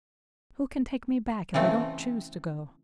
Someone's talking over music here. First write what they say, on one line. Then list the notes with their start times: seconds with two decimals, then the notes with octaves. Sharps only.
Who can take me back, if I don't choose to go?
1.54 C#3 E3 A3 C4